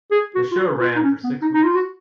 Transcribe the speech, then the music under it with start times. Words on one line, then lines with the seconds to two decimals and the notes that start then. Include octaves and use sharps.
The show ran for six weeks.
0.11 G#4
0.35 F#4
0.51 F4
0.57 F#4
0.80 F4
0.96 D#4
1.02 C#4
1.24 B3
1.41 D#4
1.53 D#4
1.64 F4
1.75 F#4